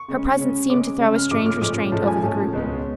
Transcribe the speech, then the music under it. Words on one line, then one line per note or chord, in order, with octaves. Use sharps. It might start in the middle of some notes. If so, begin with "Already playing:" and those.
Her presence seemed to throw a strange restraint over the group.
Already playing: C#6
C#3 G#3 C#4
C#3 G#3 C#4
C#3 G#3 C#4 D6
C#3 G#3 C#4
F6
A2 F3 G#3 C#4 D6
F6
A2 F3 G#3 C#4 D6
A2 F3 G#3 C#4 A5
G#5
A2 F3 G#3 C#4 A5
C#2 B2 G#3 C#4